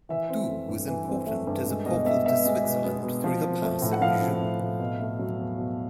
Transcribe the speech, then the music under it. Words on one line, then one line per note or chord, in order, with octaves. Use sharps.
Doubs was important as a portal to Switzerland through the pass at Joux.
E3 E5
C4
A3
G2
E3
C4
A3
G2
G#3
B2 D#5
B3 E5
B2 E5
G#3
B2
B3
B2
F3
C4
A3
A2
F#5
F3 F5
C4
A3
A2
B2
A3
F#3
E2
B2